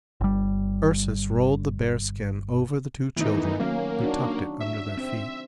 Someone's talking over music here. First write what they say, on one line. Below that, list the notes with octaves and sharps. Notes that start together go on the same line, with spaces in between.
Ursus rolled the bear-skin over the two children, and tucked it under their feet.
G1 G3
D#3 E3 A3 B3 D#4
F#3 A#3 C#4 F5
D4 D#4 F#4
E5
C4